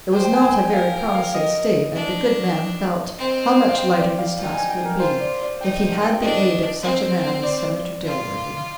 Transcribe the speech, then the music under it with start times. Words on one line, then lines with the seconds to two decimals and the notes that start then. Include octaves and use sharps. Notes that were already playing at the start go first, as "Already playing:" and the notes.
It was not a very promising state, and the good man felt how much lighter his task would be, if he had the aid of such a man as Senator Dilworthy.
0.12 C5 G5
0.24 G5
0.33 G#5
0.44 G#5
0.53 G5
0.73 A#4 F5
0.94 G5
1.14 F5
1.34 D#5
1.95 D4
3.18 C4
3.69 F5
3.78 G5
3.98 D5
4.19 F5
4.38 D#4 G5
4.54 G#5
4.69 G5
4.85 A#4
4.99 F4 C5
5.20 D5
5.41 D5
5.61 D#4 G5
5.81 G5
6.01 G5
6.21 D4 D#5
6.82 C4
7.43 D5
8.05 F4